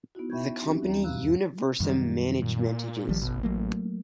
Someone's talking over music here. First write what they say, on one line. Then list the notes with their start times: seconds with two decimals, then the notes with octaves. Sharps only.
The company Universum Managementges.
0.15 B3 D#4 E4 F#4
0.30 E5 G5 B5 C#6 G6 G#6
0.62 F#3 C4 C#4 D#4 F#4 G4
0.82 D#2 E3 G3 A#5
1.04 E2 G2 B2 F5 E6 F#6
1.80 F#2 D#3 G3
2.42 A#2
3.09 A1 D#3 F3 G3
3.22 F#1 B2
3.43 F#3 A3 A#3